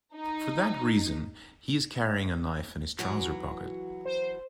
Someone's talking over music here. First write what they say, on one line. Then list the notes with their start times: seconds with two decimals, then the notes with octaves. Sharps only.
For that reason he is carrying a knife in his trouser pocket.
0.16 D#4
2.99 E3 F#3 F#4
4.05 C5